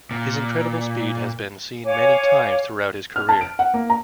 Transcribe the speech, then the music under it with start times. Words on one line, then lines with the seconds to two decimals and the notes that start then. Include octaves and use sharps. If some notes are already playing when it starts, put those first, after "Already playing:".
His incredible speed has been seen many times throughout his career.
0.11 A#2
1.85 C#5 F5 G#5 D6
3.16 F6
3.29 A5
3.41 D7
3.59 F#5
3.74 A#3
3.90 A#5